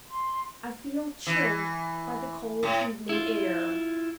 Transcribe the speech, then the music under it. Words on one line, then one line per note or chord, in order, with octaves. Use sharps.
"I feel chilled by the cold evening air."
C6
E3
A2
E4 F4